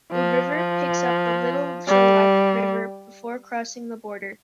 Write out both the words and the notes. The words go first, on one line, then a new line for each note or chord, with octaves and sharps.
The river picks up the Little Chilliwack River before crossing the border.
F3
F3
G3